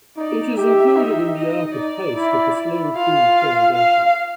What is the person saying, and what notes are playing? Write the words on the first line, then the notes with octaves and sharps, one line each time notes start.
It is included in the Ark of Taste of the Slow Food Foundation.
D#4 D5
G4 E5
D#4
D#5
D5
E4
E4
F4 F5
F5